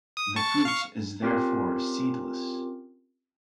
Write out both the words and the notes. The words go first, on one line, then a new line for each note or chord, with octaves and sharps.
The fruit is therefore seedless.
D#6
A5 C#6
F5 C#6
C4 C#4 F4 G4 A#4